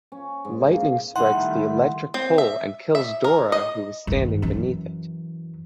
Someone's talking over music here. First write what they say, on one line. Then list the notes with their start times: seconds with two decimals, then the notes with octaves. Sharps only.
Lightning strikes the electric pole and kills Dora who was standing beneath it.
0.12 C#4
0.45 G#2
0.68 A#3
1.16 D#3 G3 A3 E4 F#5 C6
2.14 C4
2.38 E5
2.95 E5
3.24 A#4
3.52 D#5
4.07 G2 D#3
4.42 F#2 E3